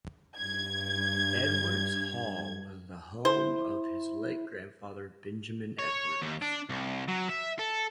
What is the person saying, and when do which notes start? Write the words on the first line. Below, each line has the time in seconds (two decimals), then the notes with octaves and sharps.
"Edwards Hall" was the home of his late grandfather, Benjamin Edwards.
0.39 G2 G#6
3.25 E4 C5
5.79 C#5
6.22 D#2
6.42 D4
6.70 C2
7.08 F#3
7.30 E5
7.59 A4